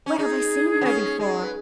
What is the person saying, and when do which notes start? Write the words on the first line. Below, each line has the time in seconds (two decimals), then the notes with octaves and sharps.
Where have I seen her before?
0.06 C#4
0.18 D#4 G#4
0.81 B3
0.85 C#4
1.19 G#3
1.42 B4